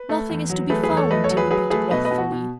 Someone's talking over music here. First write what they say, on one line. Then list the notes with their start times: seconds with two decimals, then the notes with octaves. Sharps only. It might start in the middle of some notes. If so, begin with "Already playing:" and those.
"Nothing is to be found!" he repeated wrathfully.
Already playing: B4
0.09 A3
0.29 E2
0.50 F#3
0.70 A3 G#4 B4
0.83 G#4 B4
0.90 E2
0.97 A4 C#5
1.10 A3 B4 D#5
1.24 A4 C#5
1.30 F#3
1.37 G#4 B4
1.51 F#3 G#4 B4
1.70 A3 G#4 B4
1.91 B2 B4 D#5
2.05 B4 D#5
2.11 B2
2.18 F#4
2.32 B2